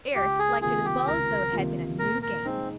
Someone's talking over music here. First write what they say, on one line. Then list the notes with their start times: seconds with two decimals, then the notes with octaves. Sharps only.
Eric liked it as well as though it had been a new game.
0.15 C#2 G4
0.39 G#4
0.61 C3 D#3 A#3 F4 G#4
0.85 G4
1.07 C#2 A#4
1.53 C3 D#3 A#3 F4
1.99 A#2 A#4
2.22 A#4
2.45 G#3 C4 D#4